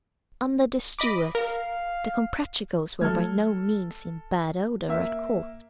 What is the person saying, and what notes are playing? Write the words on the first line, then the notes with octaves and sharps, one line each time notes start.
Under the Stuarts, the Comprachicos were by no means in bad odour at court.
D#5 B5 D6
A#4 F5
F#3 A3 A4 F6 G#6
A#3 E5